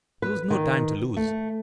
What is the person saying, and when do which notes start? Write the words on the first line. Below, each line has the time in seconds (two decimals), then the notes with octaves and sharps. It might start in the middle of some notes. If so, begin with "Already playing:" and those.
There was no time to lose.
0.22 B4
0.50 D#3
1.17 A3